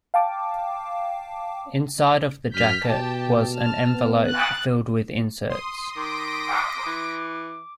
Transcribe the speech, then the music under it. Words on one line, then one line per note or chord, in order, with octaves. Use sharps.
Inside of the jacket was an envelope filled with inserts.
F5 G5 A5 D6
F#2 F6 G6 B6
B2 G4 G5 A5
A5 F6
B3
F#6 A6
C6 D#6
D#3 D6 A#6 B6 D7
E3